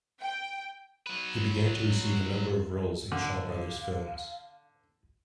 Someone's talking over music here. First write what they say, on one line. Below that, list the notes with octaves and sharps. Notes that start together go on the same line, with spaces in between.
He began to receive a number of roles in Shaw Brothers films.
G5
F#3 B4
D3 F5